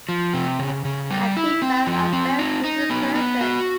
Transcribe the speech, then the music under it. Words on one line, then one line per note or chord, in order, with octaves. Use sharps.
I came back a very different person.
F3
C3
C#3
C#3
G3
E4
C4
F3
C4
D#4
D#4
B3
B3
F#4